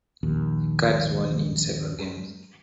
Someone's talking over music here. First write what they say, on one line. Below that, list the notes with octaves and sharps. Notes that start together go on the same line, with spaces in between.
The Cards won in seven games.
A#1 D#2